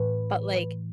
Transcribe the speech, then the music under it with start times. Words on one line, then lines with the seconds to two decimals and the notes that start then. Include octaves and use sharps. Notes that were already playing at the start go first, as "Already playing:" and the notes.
But like
Already playing: A2 E3 B4